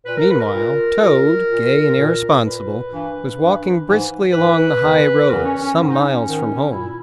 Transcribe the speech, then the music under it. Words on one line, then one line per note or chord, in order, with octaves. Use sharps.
Meanwhile, Toad, gay and irresponsible, was walking briskly along the high road, some miles from home.
A#2 B4
A#4
B4
A#4
A#2
A#2 A#4
A#2
A#2
A#2 B4
G2 E3
G2 E3
G#2 E3
G#2 E3 B4
E2 C#3 E3
E2 C#3 E3 A#4
C#4
C#4
G#2 D#3 C#4
D#4
C#4
G#2 D#3
A#2 E4